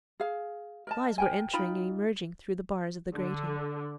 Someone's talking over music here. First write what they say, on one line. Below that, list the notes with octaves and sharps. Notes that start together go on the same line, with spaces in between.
Flies were entering and emerging through the bars of the grating.
G#4 F5
A#4 D#5 A5
A#4 G5 G#5
D#4 F4 G5 B5
D3